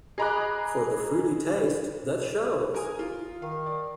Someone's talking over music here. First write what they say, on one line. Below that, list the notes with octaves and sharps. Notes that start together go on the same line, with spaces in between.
For the fruity taste that shows!
G#4 D#5 A#5 B5 D6 F#6
A#4 G#5 D#6
F4
D#3 F5
D5